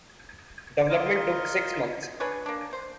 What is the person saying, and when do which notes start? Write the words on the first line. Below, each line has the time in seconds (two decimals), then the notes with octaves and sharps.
Development took six months.
0.90 F4 A#4 D#5
2.20 D4 G#4 B4 C#5
2.46 A#3 D4
2.73 C5